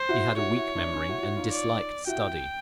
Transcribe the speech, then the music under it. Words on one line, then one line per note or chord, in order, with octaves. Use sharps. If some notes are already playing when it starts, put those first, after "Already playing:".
He had a weak memory, and disliked study.
Already playing: C5
E4 F#4
E4 F#4 C#5
E4 F#4
D4 E4
C#4 D#4
E4 F#4
E4 F#4
D#4 F4
D5
E4 F#4 G5